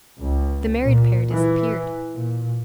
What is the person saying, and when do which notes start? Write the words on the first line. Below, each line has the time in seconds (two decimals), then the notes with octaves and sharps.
The married pair disappeared.
0.19 C#2
0.84 A#2
1.33 E3
2.15 A#2